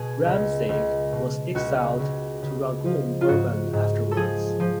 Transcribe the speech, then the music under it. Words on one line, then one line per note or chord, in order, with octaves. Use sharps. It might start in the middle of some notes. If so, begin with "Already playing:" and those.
Ram Singh was exiled to Rangoon, Burma afterwards.
Already playing: B2 G#4
C#2
C#2
B2
C#2 F#4
C#2
C#3
F3
F4
G#2 F#4
G#2
A4
F3 G#4
F3